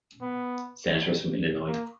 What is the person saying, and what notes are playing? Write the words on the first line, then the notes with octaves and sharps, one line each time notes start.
Senators from Illinois.
B3
A#3